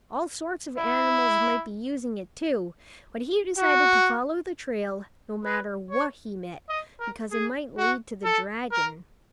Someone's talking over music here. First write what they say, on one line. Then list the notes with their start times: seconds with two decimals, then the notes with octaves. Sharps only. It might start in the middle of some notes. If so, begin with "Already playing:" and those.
All sorts of animals might be using it too, but he decided to follow the trail no matter what he met because it might lead to the dragon.
0.78 E4
3.58 F#4
5.44 B4
5.91 C#5
6.69 D#5
7.00 A#4
7.31 G#4
7.77 F#4
8.24 A4
8.72 A#4